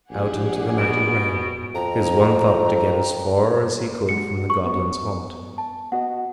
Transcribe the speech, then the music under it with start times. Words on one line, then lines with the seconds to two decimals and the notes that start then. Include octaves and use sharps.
Out into the night he ran, his one thought to get as far as he could from the goblin's haunt.
0.10 A#1 G4 G#4 F#5
0.78 B2 D7
1.75 F2 A#5
4.09 G#3 F#4 C#7
4.50 C#6
4.66 B3
5.58 A5
5.92 B3 F#4 D#5 F#5